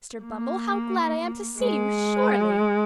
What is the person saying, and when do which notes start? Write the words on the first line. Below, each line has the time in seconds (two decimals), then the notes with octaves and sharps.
Mr. Bumble, how glad I am to see you, sure-ly!'
0.25 A#3
1.59 G#3